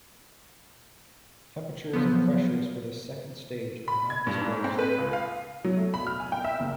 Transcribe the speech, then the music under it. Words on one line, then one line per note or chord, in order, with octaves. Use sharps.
Temperatures and pressures for this Second stage are not disclosed.
F3 F#3 B3
B5
G#6
G2
G#2
C4
B4
C#2
F5
F#3
A3
B5
F6
G#5
G5
E5
F#1